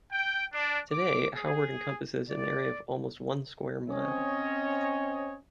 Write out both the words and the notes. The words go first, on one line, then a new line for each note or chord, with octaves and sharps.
Today, Howard encompasses an area of almost one square mile.
G5
D4
D6
G#4
D5
C4 C#4 C#5 D#5